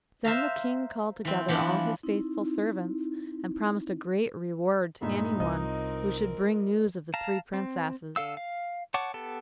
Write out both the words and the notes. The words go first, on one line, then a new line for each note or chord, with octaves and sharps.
Then the King called together all his faithful servants, and promised a great reward to any one who should bring news of the three princesses.
C5 E5 F5 A#5
E3 C4
E3 F3 B3 D4
C4 D#4 E4
G2 A#2 G#3 D#4 E5
C2 C4 F4 A#4 D#5
F5 A5 A#5
C4
D3 A4 F5 E6
F5
C#5 F#5 A5 C#6 D6
B3 G4 A4 A5